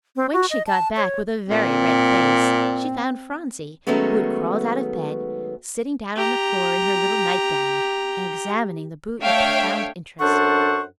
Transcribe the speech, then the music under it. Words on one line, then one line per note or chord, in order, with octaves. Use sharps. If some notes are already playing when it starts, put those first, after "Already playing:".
When she got back with a very red face, she found Phronsie, who had crawled out of bed, sitting down on the floor in her little nightgown and examining the boot with profound interest.
C4
F#4
D#5
A5
C#5
A#2 C4
D#3 F#3 G#3 A3 B3 C#4
G4 A#5
A3 D4 C#5 E5 F5 G5
F#2 D4 A4 C5 F#5 C#6